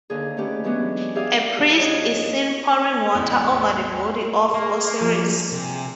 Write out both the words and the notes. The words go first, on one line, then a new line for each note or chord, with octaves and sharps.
A priest is seen pouring water over the body of Osiris.
D#2 D3 G#4
A3 C#4 G4 B4
E3 F#3 G#3 B3 C#4 D4
G4 G#4 D5 E5 F5 G#5
F2 C#5 D#5 G6
A1 E2 G5
A#3 G#4
F3 G3 D4
C3 G#5